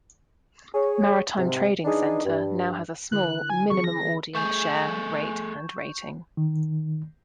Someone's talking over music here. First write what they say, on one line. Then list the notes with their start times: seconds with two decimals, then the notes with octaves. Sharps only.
Maritime Trading Center now has a small, minimal audience share, rate, and rating.
0.74 G#4 C#5
1.37 G#2 C3
1.85 E3 D4 D#4 G#4
2.25 G2
3.12 D3 E4 A#4 F#6
3.50 G#5
3.70 E3 C4 G#4 C#6
3.84 A#6
4.35 A3 G#4 C#6 G6
4.61 E7
6.37 D#3